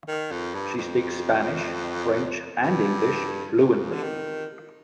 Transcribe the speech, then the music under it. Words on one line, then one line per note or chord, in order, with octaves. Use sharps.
She speaks Spanish, French and English fluently.
D#3
F2
G2
F2
G2
F2
D3
D#3